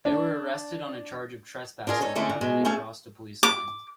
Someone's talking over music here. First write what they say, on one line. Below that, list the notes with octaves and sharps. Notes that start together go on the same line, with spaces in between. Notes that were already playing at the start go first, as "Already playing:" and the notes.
They were arrested on a charge of trespassing after they crossed a police line.
D4
D4 F4 G#4 A#4
D#4 A4 C#5
D3 G#3 A3 C4 C#4 E4
D3
B2 G#3
A3 C#4 G#4 A4 E5 F5
D6